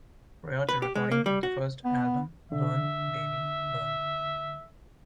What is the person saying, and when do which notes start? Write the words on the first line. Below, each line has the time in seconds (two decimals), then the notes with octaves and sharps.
Prior to recording the first album, Burn, Baby, Burn!
0.69 B4
0.82 G4
0.95 G#3
1.11 A#3
1.26 G3
1.43 F#4
1.85 B3
2.52 D3 E5